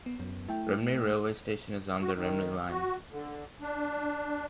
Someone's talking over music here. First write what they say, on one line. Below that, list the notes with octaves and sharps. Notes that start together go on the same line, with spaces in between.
Rhymney railway station is on the Rhymney Line.
B3
F#2 F#3 B3
A3 E4 G5
F#4
D#3
F#4
D3
D4